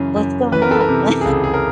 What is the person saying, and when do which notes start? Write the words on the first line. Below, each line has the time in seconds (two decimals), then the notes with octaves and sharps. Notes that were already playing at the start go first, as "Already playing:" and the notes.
"What's going on?" Like
Already playing: F#2 C#3 E3
0.16 F#2
0.52 E3 B4
0.62 A#4
0.71 A4
0.80 A#4
0.89 C3
1.21 G#4
1.25 C#2 A4
1.44 G#4
1.54 A#4